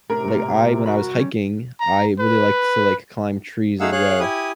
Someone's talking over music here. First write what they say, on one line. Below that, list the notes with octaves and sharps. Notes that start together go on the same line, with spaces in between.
Like, I when I was hiking, I really liked to, like, climb trees as well,
A2 C3 D4 A#4
A3 A#3
A2 A#3
A2
C2 F#4 B5
F#3 G3 C#4
A#5
B4
A3 D#4 G#4 F5 F#5 E6
G#4 C#5 F5 F#6
E4 G4 G#5 D#6